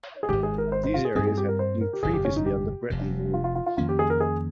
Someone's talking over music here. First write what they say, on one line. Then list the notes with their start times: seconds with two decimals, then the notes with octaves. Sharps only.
These areas had been previously under Breton rule.
0.23 G#4
0.29 G#1 G#2 D#3 G#3 G4
0.43 G#4
0.58 A#4
0.72 C5
0.84 C5
0.94 F4
1.05 G#4
1.15 G2 G3 C4 G#4
1.27 G#4
1.38 G4
1.48 A#4
1.59 C5
1.81 A#4
1.93 G4
2.03 G1 F2 C3 G#4
2.14 G4
2.25 C#4
2.36 D#4
2.46 G4
2.90 F1 F2 C3
3.34 F4
3.44 F4
3.55 F4
3.66 F4
3.77 F2 D#3 A#3 C#4 F4
3.89 G4
3.99 G#4
4.10 A#4
4.20 G#4